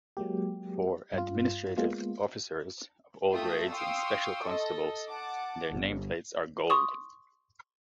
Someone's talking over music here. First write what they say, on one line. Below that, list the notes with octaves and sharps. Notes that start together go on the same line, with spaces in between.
For administrative officers of all grades and Special Constables, their name plates are gold.
F#3 G#3 A#3 G4
G2 F4
G#3 A#3 B3 F4
A3 F4 E5 G5 D#6
F5 G5 C6 C#6 D#6 E6
A4 D#5
F#5 A5 D6
G1
C6 C#6 D#6